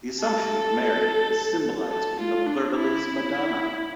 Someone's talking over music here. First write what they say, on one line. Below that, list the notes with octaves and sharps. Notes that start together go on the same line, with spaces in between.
The Assumption of Mary is symbolised in the Fleur-de-lys Madonna.
A4
A4
F4
D4
E4